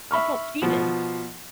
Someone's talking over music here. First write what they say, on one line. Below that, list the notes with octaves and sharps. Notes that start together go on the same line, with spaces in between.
I felt cheated!
E5 B5 C#6 F6
B2 F3